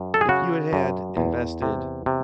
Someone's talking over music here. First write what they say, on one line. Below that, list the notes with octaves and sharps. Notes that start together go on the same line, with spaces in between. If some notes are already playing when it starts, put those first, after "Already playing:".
if you had had invested
Already playing: F#2
A4
G#4
C#3 F#4
F#2
E2
C3
C3